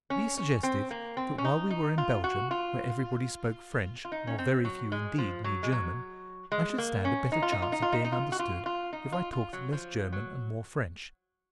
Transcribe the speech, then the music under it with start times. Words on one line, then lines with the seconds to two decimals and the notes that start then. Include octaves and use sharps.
B. suggested that while we were in Belgium, where everybody spoke French, while very few indeed knew German, I should stand a better chance of being understood if I talked less German and more French.
0.10 C#4
0.37 C#4
0.63 C4
0.91 A#3
1.17 C4
1.38 C#4
1.45 D#4
1.70 D#4
1.98 F4
2.24 F#4
2.51 F4
4.05 F4
4.12 D#4
4.27 C#4
4.38 C4
4.65 F#3
4.92 G#3
5.18 F3
5.44 F#3
5.63 G#3
5.72 F#3
6.52 G#3
6.78 A#3
7.05 C#4
7.32 D#4
7.42 F4
7.52 D#4
7.62 F4
7.72 D#4
7.82 F4
7.93 D#4
8.04 D#4
8.12 F4
8.32 F#4
8.39 F4
8.66 F4
8.93 D#4
9.12 F4
9.32 F4
9.53 F#3
9.73 F3
10.13 F#3